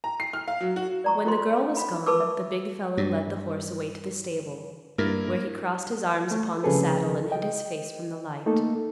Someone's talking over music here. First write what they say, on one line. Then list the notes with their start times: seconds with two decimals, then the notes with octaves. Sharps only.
When the girl was gone, the big fellow led the horse away to the stable, where he crossed his arms upon the saddle and hid his face from the light.
0.04 A#5
0.20 C7
0.33 F6
0.48 F5
0.61 F#3
0.76 F#4
1.04 D5 A#5 C#6
1.26 F4 C5 C6
1.77 D#5 F5 B5
2.06 B4 A5 C#6 D6 E6
2.20 E5
2.97 G2
4.98 G2 A#3 E4 A#4
6.31 A3
6.63 C2 C#3 F3 G#4 A4 B4
7.31 D#5 G5
8.46 A3 A#3 D#4 A4